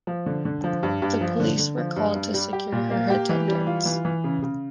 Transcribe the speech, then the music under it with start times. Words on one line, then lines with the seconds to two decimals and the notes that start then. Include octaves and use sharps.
The police were called to secure her attendance.
0.07 F3
0.26 D3
0.45 D3
0.64 F3
0.83 G2
1.02 G2
1.21 F3
1.40 D3
1.59 D3
1.77 F3
1.96 G2
2.15 G2
2.34 G3
2.53 G4
2.72 A#2
2.91 A#3
3.10 G4
3.29 E3
3.48 G3
3.67 F4
3.85 E3
4.05 E3
4.24 C#3
4.43 C#3